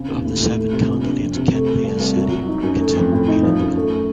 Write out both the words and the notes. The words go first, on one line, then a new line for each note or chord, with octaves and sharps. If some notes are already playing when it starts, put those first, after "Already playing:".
Of the seven candidates, Kennedy has said he would consider repealing the bill.
Already playing: C#3 C4
D#2
A2
A2
A3
C3
A#1
A#1
F2
C3
A3
A3
C2
C2
F#3
F#3
D#4
F#2
A3
F2
A2
D#4
F3
F#2
A3